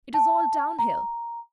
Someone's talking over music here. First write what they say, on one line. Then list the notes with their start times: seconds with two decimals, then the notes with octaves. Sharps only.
It is all down hill.
0.14 A5
0.79 A#5